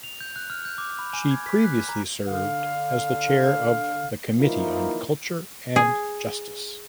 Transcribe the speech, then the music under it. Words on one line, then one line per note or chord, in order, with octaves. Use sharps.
She previously served as the chair of the Committee on Culture and Justice.
F7
G6
F#6
F6
G6
D6
B5
G#5
G#6
B6
F#6
A#5
D3 F5
E3 F3 A#3 D#4 E4
G#4